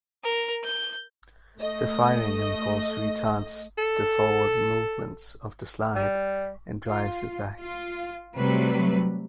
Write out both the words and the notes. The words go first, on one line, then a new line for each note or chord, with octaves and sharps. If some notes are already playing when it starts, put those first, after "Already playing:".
The firing impulse retards the forward movement of the slide and drives it back.
A#4
G6
A3 D#5
A4
G3
F4
F4
C3 F#3 G3 A3 B4